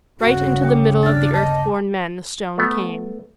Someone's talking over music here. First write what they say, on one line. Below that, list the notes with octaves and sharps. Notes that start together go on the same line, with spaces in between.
Right into the middle of the Earth-born Men the stone came.
G1 D#2 C#3 F#4
G5 D6
D4 F6 A6
D#5 A5 D6
A3 B3